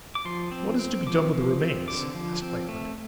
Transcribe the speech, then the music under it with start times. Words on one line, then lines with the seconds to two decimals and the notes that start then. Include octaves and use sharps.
'What is to be done with the remains?' asked Lightwood.
0.15 D6
0.25 F3 C6
0.51 C4
0.79 C4
1.07 F3 D6
1.33 F3
1.60 C4
1.87 D3 D6
2.14 F3
2.42 C4
2.69 A3